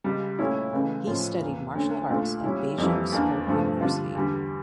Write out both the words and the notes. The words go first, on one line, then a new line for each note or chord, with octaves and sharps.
He studied martial arts at Beijing Sport University.
C#2 C#3 G3
A#2 A3 C#4 E4
C#2 C#3 E3 A3
A2 F3 C#4 F4
E2 E3 A#3
D2 D3 A3 C#4
A#2 A3 D4 F4
A#2 G3 C#4 E4
F2 E3 G3 A#3 E4
E2 E3 A#3 D4
G2 F3 A3
D3 G3 D4 F4
E2 D3 G3